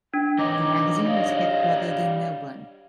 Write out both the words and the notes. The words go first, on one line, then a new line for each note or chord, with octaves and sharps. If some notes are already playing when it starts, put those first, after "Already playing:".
The magazine was headquartered in Melbourne.
D4 G5
E3 D#4 C#5 D#5 D6
G4 C#5 D5 F5